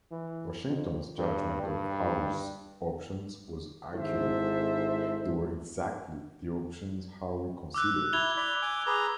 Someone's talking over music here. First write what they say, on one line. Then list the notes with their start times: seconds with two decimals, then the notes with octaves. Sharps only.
Washington's judgment of Howe's options was accurate; they were exactly the options Howe considered.
0.11 E3
0.68 F2
1.18 G2
1.62 G2
3.94 G#1 G#2 E4 A4 C5 E5
7.74 D6 E6 F#6
8.13 E4 G#6 F7 G7
8.37 D5 B5
8.62 G#5 D6
8.87 G#4 B4 A#5 D6